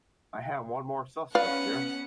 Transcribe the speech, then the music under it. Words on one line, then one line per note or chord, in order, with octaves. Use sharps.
I have one more suspect here.
B3 C#4 B4 D5 F5 F#5